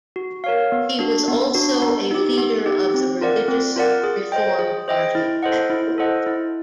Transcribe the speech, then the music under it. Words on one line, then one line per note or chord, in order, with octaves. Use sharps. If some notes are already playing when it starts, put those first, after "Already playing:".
He was also a leader of the religious reform party at court.
F#4
A#4 C#5 F5
B3
D4 F#4
B3
D4 F#4
B3
D#4 G4
B3
D#4 G4
C4
F4 A#4 D5 F#5
C4
F4 A#4 D5 F#5
G#4
C5 D#5 G5
G#4
C5 D#5 G5
E4
A4 C5 D#5 F#5
E4
A4 C5 D#5 F#5
E4